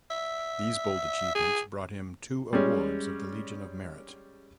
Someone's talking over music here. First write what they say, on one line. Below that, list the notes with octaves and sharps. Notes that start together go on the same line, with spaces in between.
These bold achievements brought him two awards of the Legion of Merit.
E5
G#4
G3 G#3 C#4